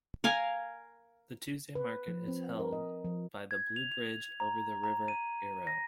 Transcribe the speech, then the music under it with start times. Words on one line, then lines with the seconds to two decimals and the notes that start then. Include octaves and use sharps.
The Tuesday market is held by the blue bridge over the River Iro.
0.24 A#4 F5 G#5
1.75 B4
2.08 F3
2.28 C4
2.59 A#4
2.72 D#5
3.05 F3
3.51 G#6
3.76 F7
3.92 F7
4.40 A#5
4.84 A#5
5.08 D#7
5.67 A#6